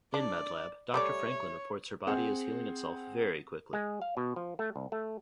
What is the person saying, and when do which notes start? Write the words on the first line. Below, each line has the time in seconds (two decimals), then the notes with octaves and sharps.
In Medlab, Doctor Franklin reports her body is healing itself very quickly.
0.14 D4 D5
0.94 G3 A3 C#5 D5
2.07 C4 G#4 F#5
3.73 G#3
4.02 F5
4.17 B2
4.36 F3
4.59 A3
4.76 C2
4.92 A3